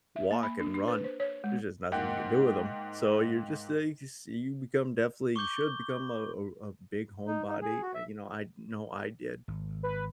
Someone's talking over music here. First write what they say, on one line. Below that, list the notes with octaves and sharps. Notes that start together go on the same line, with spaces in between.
walk and run, there's just nothing you can do with ‘em. So, you're just, eh, you can see you become definitely you should become a a a big homebody, eh, you know, I know I did.
E5
A#3
B5
D4
D4
B4
C5
C#5
G#3
G#2 A#3 F#5 G5
C#6 D6 G6 G7
D#4
D#4
G#4
F#4
E5
G#1
B4